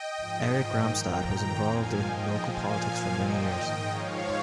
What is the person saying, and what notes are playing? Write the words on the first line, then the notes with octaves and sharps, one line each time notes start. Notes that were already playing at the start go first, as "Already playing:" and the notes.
Erik Ramstad was involved in local politics for many years.
Already playing: D#5 G5
G#2 F3
G#2 D#3
A#2 F3 G5 A#5
F2 D#3
A#2 F3 F5 G#5
G#2 F3 D#5 G5
A#2 F3 F5 G#5
A#2 F3
A#2 F3 D#5 G5
G#2 D#3
G#2 F3 C#5 F5